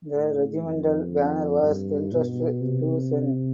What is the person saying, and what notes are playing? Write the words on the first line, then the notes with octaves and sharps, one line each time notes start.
The regimental banner was entrusted to Sen.
A2
F2
G2
B2
C3